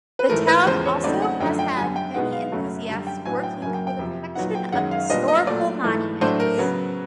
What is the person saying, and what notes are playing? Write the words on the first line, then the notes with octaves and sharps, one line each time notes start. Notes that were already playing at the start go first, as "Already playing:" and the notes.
The town also has had many enthusiasts working for the protection of historical monuments.
B4
G#2 E3 A3 A#4
B4
E2 C#3 F3 G#3 C5
C#5
C#3 F#3 A3 C4 D#4 D5
F#5
F#2 D3 F3 A3 D4 G5
G5
F#2 D3 G3 G#5
G5
B2 G#3 B3 D#4 F#5
F5
F#2 C#3 F#3 A3
F#2 D3 G3
G5
A2 F#3 B3 D4 G#5
G5
F#2 C#3 F#3 A#3 G#5
G5
G5
F2 C3 F3
A#2 F#3 B3 D#4 F#5
G5
F#2 D#3 G#3 C#4 F#5
F5
A#2 G3 B3 D4 D#5
D#5
A#2 F#3 A3 D5
G#2 E3 A3
A2 F#3 A3 D4 C5
A#4
C#3 F#3 B3